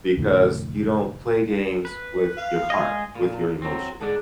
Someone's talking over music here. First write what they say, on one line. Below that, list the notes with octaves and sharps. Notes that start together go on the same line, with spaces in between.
because you don't play games with your heart, with your emotion.
F1 A2 D3
B4
F5
G#3 G#4 D#5
A#2 B5
E4
F#3 C4
G#2 D3 D4 G#4 A4 A5